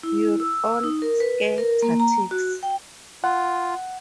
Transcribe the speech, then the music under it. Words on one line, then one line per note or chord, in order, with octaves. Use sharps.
You're on "Scare Tactics"!
E4
E6
D#4
A#4
B4
A#4
A#3
A#5
F#4
G5
F4 F#5